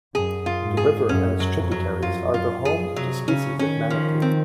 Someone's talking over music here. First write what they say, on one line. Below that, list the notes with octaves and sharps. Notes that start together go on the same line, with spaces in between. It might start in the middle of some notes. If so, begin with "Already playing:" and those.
The river and its tributaries are the home to species of manatee.
F#2 G#4
F4
G#2
G#4
F#2 C#4
F#3
F2
F#3
F#2 F4
F#2 F4
F#2 G#4
C3 F#3
C#3 C#4
D#3 C#4
F3
C4